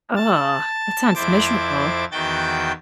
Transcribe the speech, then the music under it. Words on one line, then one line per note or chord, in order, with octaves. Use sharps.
Ugh, that sounds miserable.
A5 A6
F2 E4 C5 D6 A6
E2 D#3 F#4 G5 G6 A6